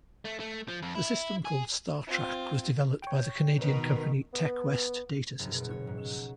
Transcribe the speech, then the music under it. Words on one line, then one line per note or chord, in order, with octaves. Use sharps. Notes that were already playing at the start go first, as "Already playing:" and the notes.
The system called Startrack was developed by the Canadian company Techwest Data Systems.
A3
A3
F3
F2
E4
G#4
C4 F4
C#5 G5
B2 D#3 A#4 B4
B3
F#1
B2
C#5
G#2
F#3